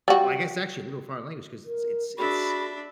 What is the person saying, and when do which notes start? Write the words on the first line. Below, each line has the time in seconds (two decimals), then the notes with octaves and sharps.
well, I guess actually a literal foreign language 'cause it's it's it's
0.08 G3 F#4
1.65 A#4
2.18 D4 F#4 G#4 E5 B5